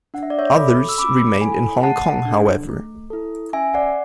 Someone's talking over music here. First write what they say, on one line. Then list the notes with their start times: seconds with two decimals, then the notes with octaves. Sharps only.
Others remained in Hong Kong, however.
0.14 D4 F#5
0.23 E5
0.30 D5
0.39 C#5 E5
0.56 F#4 A4 B5 D6
0.89 E6
0.98 C#4 B5 D6
1.41 E4 A4 G#5 B5
1.83 A3 F#5 A5
2.25 D4 A4
2.68 A3
3.10 E4 A4
3.53 C#4 E5 G#5
3.74 D5 F#5